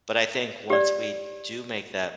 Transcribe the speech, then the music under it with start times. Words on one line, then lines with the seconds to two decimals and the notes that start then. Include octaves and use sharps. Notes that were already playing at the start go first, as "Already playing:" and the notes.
but I think once we do make that,
0.70 G4 D5